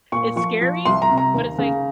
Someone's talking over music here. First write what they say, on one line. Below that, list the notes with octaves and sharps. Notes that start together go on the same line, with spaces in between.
it's scary, but it's, like,
A#2 C#6
F3 C#6
F3
C2 C6
A#5
C3
A#5
D#2
C#3